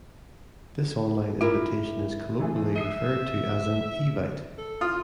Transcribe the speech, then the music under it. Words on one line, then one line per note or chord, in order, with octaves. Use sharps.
This online invitation is colloquially referred to as "an Evite".
E4 F4 A#4 E5
E3 A3 G#4
E5 D#6 C7 D#7
A4
F4 D#6 F6